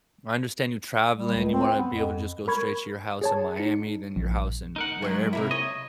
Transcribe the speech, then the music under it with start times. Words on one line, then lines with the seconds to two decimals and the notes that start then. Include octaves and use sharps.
I understand you traveling. You wanna be able to just go straight to your house in Miami, then your house in wherever,
1.15 G3
1.36 C#2
1.52 C4
1.77 B3
1.93 F2
2.48 A#4 B5 C#6 G#6
3.21 G#4 C#5 A5
3.57 D#4 C#7
4.16 A#1
4.76 D#4 A#4 F#5
5.02 F#3 G#3
5.33 C3 A#3 E4
5.51 C#5 D#5